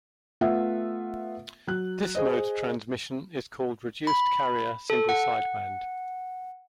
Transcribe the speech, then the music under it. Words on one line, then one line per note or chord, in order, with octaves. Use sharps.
This mode of transmission is called reduced-carrier single-sideband.
A3 B3 F4 E5 F#5
F#3 F#6
G#4 C5 D#5
B5
A4
F#5